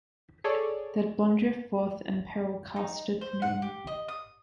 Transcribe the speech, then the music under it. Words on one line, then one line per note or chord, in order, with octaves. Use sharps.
That blondreth forth and peril casteth noon.
G#4 A4 C#5 D5
D#4
C5
F#5
G4
D#5
D#6